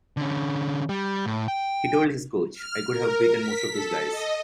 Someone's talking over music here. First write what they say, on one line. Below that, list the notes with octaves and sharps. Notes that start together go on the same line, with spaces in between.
He told his coach, I could have beaten most of those guys.
D3 C#4
G3
A2
G5
F6
A#4
B6
A4
D#5